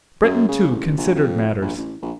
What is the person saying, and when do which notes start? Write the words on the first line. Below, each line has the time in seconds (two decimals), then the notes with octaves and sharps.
Breton, too, considered matters.
0.23 F#2
0.49 C#3
0.72 A1
0.98 A#1
1.15 F2
1.62 A#1
1.78 A1
2.02 A#1